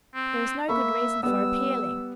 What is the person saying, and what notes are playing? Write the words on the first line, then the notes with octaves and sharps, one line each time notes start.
There is no good reason for appealing.
C4
A#3 E5 B5 C#6
G3 B3 E6